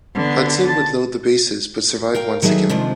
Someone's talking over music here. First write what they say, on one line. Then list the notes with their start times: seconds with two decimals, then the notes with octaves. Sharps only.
Hudson would load the bases but survive once again.
0.14 D3 B3
0.68 A5
2.15 A#4 F5 G5
2.42 D#3 F#3 G#4 A4 E5
2.69 C3 D#3 F3 G#3 D4 C5